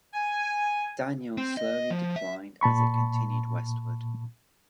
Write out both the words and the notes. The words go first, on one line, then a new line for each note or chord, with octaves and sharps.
Daniel slowly declined as it continued westward.
G#5
C4
D#5
F3
E5
A#2 A5 B5 C#6